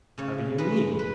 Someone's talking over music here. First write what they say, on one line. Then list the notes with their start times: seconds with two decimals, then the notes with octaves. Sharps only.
How do you mean?
0.18 C#3 C#5
0.58 G#3 B4
0.99 B4